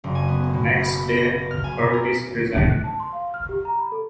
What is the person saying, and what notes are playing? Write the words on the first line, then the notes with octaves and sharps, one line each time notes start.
The next day, Curtis resigned.
F#1
G#5
B3
B2
B5
A#6
F6
G#5
B2
A#4
D4
F#6
A5
C6
F5
F6
G4
A#5
B5
A4